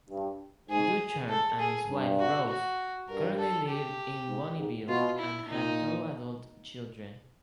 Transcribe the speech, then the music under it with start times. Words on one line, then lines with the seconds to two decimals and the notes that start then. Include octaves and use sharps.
Ducharme and his wife, Rose, currently live in Bonnyville and have two adult children.
0.10 G2
0.70 G#2 G#4
1.29 A4
1.59 G#4
1.90 G2
2.20 F#4
2.49 F#4
3.09 G2 A#4
3.39 A4
3.69 G4
4.28 G#2
4.58 G#2
4.88 B2 F4
5.18 E4
5.48 A#2 D#4